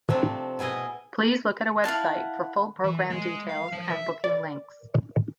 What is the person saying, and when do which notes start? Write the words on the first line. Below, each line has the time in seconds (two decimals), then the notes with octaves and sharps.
Please look at website for full programme details and booking links.
0.09 C3 F3 A3 C4 D4
0.59 B2 E4 G#4 D#5 G#5
1.84 E4 F5 F#5 A5
2.84 E3
3.10 G#3
3.49 F5
3.72 F3
3.90 E5
4.24 D5